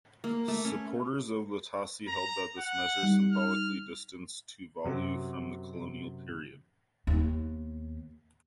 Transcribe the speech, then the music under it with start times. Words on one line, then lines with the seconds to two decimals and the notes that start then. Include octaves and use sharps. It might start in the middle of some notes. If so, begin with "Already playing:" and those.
Supporters of Latasi held that this measure symbolically distanced Tuvalu from the colonial period.
0.24 A#3
0.48 A3
0.65 C#4
2.08 A#5
2.59 F#5
3.03 G3 D#4
3.32 F6
4.85 F#2 C3 F#3
7.07 D#2 B3